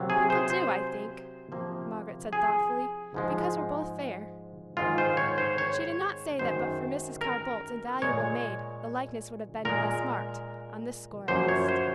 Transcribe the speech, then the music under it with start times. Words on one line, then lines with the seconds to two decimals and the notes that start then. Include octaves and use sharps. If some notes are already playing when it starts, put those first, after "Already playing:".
"People do, I think," Margaret said thoughtfully, "because we're both fair." She did not say that but for Mrs. Carr-Bolt's invaluable maid the likeness would have been less marked, on this score at least.
Already playing: C3 F#3 A#3
0.10 G#4
0.30 C5
0.50 C5
1.52 C3 F3 A#3
2.33 G#4
3.14 G#2 F3 G#3
4.77 G#2 D#3 G#3 F4
4.98 C5
5.17 C#5
5.38 C5
5.58 C#5
6.39 F#2 D#3 G#3 C5
7.21 A#4
8.02 A#2 G#3 C#5
9.65 A#2 G#3 A#4
11.28 F#2 F3 A#3 C5
11.49 C#5
11.68 C5